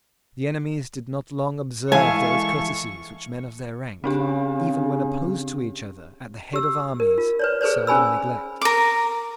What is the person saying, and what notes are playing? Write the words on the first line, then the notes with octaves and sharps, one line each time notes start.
The enemies did not long observe those courtesies which men of their rank, even when opposed to each other at the head of armies, seldom neglect.
E3 G#3 A4 E5 F5 G#5 C#6
C#3 C4 D4 G4
G4 E6
A#4
F4
B4 C#5 D5
G#4 A4 B4 C5 D5
C#4 G#4 G#5 B5 E6
A#4 D6